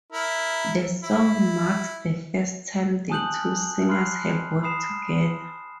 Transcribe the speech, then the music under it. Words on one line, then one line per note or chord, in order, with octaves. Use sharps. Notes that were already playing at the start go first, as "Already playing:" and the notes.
The song marks the first time the two singers have worked together.
E4 A#4
E4
G#5 A5 D#6 F#6 G6 F#7
B5 C6 F6 F#6 C7
B5 D#6 C7 E7